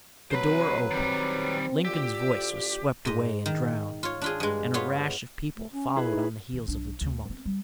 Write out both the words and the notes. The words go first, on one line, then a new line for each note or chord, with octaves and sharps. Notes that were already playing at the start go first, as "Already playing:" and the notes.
The door opened, Lincoln's voice was swept away and drowned, and a rash of people followed on the heels of the tumult.
C3 F#3 B4 C5 B5
D#3 G3 C4
D2 F4 G4 D5 E6
G#2 D#5
D#3
F4 C#5
D4 F4 G#4
G2 G#3
B3 F4 C#5 F5
A3
C#4
E4 G#4 B4
D#4
A2 D#3
B1 D4
D2
B3 C4
G3